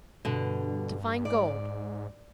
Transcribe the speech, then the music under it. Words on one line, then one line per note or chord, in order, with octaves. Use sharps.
To find gold.
G2 B2 D3
G#2 D5